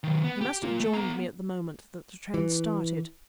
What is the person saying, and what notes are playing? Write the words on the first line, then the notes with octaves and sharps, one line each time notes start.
He must have joined me at the moment that the train started.
D#3 F#3
B3
G4
A#3 F4
A3
B3 A#5
E3